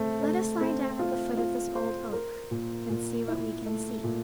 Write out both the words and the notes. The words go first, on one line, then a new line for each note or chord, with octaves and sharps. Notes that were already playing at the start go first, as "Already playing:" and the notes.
Let us lie down at the foot of this old oak, and see what we can see.
Already playing: A3 C4
A3
C4
F4
F4
C5
A#4
A#2
A#2
E4
A3
A#2